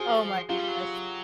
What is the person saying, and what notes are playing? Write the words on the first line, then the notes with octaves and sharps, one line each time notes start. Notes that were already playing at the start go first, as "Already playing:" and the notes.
Oh my ness.
Already playing: F3 F#4 G#4
F#3 F4 G4
G3
F#3